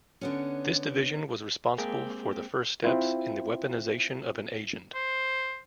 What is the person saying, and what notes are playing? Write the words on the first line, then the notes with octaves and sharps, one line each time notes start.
This division was responsible for the first steps in the weaponization of an agent.
D3 B3 C#4
G#3 A#3 C4 G4 G#4
C4 E4 F4
C5